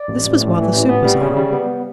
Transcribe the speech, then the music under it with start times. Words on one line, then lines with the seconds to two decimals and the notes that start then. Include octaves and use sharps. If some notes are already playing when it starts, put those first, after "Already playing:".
This was while the soup was on.
Already playing: D5
0.08 A1
0.24 A1
0.40 A2
0.57 E3
0.72 A1
0.89 B3
1.05 G3
1.21 C#3
1.36 G3
1.53 B3